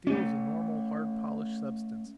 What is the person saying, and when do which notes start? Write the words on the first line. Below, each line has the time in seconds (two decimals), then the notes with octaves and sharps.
Steel is a normal, hard, polished substance.
0.07 A3 C#4